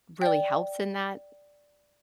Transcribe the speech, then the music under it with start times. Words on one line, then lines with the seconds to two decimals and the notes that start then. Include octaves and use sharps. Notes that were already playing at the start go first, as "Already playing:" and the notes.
really helps in that
0.22 D5 G5